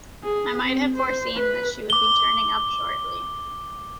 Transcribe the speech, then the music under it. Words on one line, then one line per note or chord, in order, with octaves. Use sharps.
I might have foreseen that she would be turning up shortly.
G#4
C4
C5
B4
D6 G7